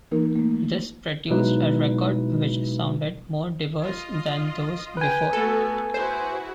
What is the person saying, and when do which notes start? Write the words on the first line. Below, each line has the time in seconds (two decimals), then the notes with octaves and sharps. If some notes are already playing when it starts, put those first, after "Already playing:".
This produced a record which sounded more diverse than those before it.
0.11 E3 A#3 D#4 A#4
0.36 A3 A#3
1.30 B2 F#3 G#3 D#4 E4 B4
3.81 F4 D#5
4.97 B4 G5 G#5
5.33 A3 B3 F#4 A4
5.94 E4 F#4 G#4 C5